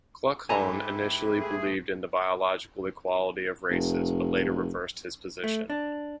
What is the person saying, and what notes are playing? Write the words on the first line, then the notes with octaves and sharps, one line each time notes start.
Kluckhohn initially believed in the biological equality of races but later reversed his position.
G#2 E4 G4 A4 B4 G#5 A#5
A3 G#4
F1
A3
D4